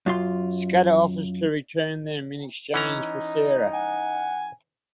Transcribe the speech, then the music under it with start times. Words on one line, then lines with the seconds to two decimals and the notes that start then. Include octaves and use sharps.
Scudder offers to return them in exchange for Sarah.
0.06 F#2 F4 C6
2.74 E3 C#4 D#4 A#5
3.73 F#5 G#5